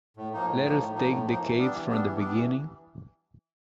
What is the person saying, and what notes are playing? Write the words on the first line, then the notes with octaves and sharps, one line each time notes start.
Let us take the case from the beginning.
A2
F3 A#3 D#4
A2
F3 A#3 D#4
A2
F3 A#3 D#4
A2
F3 A#3 D#4
E3
G3 B3 D4
E3
G3 B3 D4
E3
G3 B3 D4
E3